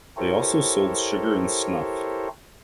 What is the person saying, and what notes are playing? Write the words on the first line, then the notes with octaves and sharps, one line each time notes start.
They also sold sugar, and snuff.
E4 G4 A4 A#4 C5 C#5